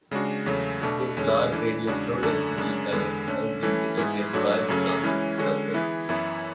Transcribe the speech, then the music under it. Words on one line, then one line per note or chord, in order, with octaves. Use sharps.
Six large-radius low-density planets have been detected by the transit method.
C#3 G#3 D4 F#4
E2 C#3 F#3 A3
B2 A3 D4 F#4
E2 D3 G#3 C#4 G#4
E3 A3 D4
E2 C#3 G#3 D4 F#4
F#2 D3 A3 D4 F#4
F#2 C#3 G#3 D4
E2 D3 G#3 B3
D3 A3 C#4
E3 A3 C#4 E4
G#2 G#3 B3 E4 G#4
G#2 F#3 A3 D4 F#4
F#2 C#3 F#3 A3 C#4
E3 G#3 C#4 E4
D3 G#3 C#4 F#4
E3 B3 E4 G#4
F#2 E3 B3 E4